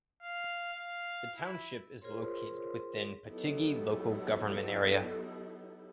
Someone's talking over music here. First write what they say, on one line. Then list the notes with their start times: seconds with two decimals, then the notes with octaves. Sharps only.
The township is located within Patigi Local Government Area.
0.23 F5
0.73 F5
1.36 E4
2.01 F4 G#4 A#4 C5 C#5 C6
3.25 F#3 B3 D#4 E4 G4 A4